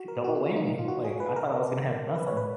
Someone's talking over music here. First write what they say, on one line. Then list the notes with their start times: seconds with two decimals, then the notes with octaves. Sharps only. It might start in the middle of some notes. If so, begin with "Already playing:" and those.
double whammy," like, I thought I was gonna have nothing.
Already playing: F#4
0.08 A#4
0.24 F#4
0.35 D#4
0.45 F4
0.56 D#4
0.67 D#4
0.78 F4
0.88 F#4
1.05 G#4
1.20 B4
1.36 A#4
2.16 B4
2.27 C#5
2.37 B4